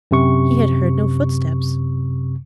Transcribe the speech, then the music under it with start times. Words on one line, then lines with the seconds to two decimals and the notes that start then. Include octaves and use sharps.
He had heard no footsteps.
0.11 F#2 C3 C#6